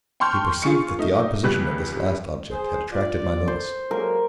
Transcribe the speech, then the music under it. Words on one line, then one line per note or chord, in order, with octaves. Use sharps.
He perceived that the odd position of this last object had attracted my notice.
G5 A5 C6 C#6 F6 G6
F4 G#4 C#6 C#7
A3 D#4
C#2 G3 F#6
G#4 C5
F4 D5
C5
F#3 G#3 A#3 A#4